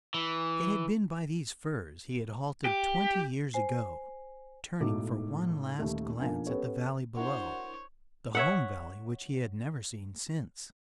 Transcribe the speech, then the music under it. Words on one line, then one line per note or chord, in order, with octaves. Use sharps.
It had been by these firs he had halted twenty years ago, turning for one last glance at the valley below, the home valley which he had never seen since.
E3
G4
C5 G#5 C7
B1 A2 G#3 D#4 F#4 D6
D#1 D#2 A3 D#4
B1 F3 A#3 D4 G#5
B3 C#4 G4 A4 B4 C#5
D4 E4 F#4 A#4 C5 C#5 C6
C#5 E5 F#5